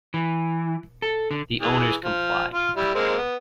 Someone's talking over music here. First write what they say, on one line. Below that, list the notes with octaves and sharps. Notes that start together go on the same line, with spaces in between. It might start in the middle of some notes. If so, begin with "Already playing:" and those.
The owners complied.
E3
A4
D3
E3 G#4
F3
F4
G3 E4
G#3 A#3 C4
B3